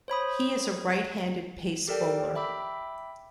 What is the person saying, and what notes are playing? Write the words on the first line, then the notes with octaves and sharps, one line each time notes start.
He is a right-handed pace bowler.
C5 C#5 B5 D#6
G4 A4 A#4 D5 G5
E5 G5 B5 D6 E6